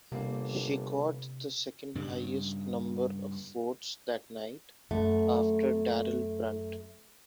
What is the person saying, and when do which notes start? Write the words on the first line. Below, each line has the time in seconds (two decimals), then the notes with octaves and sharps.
She got the second-highest number of votes that night, after Daryl Brunt.
0.12 G1 C3 G3 A#3 C4
1.95 G2 C#3 G3
4.91 F#2 A3